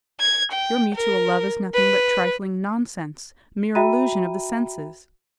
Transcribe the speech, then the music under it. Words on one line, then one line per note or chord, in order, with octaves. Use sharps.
Your mutual love is nothing but trifling nonsense, mere illusion of the senses.
G#6
G5
A#4
B4
F#4 E5 G5 A#5 B5 D#7